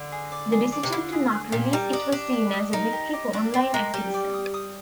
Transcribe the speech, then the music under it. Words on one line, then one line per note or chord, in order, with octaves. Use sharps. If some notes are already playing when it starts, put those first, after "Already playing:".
The decision to not release it was seen as a victory for online activism.
Already playing: D3
G#4
D5
G#4
D5
C3
D3 F5
G#4
G#4
A#2 G4
G3 A#4
D4 D#5
D4 G4
G4
D#5
D#4 A#4
G4
G4
D4 G4
C4 G4
G#3 A#4
G3 G5
D5
D#6
D#6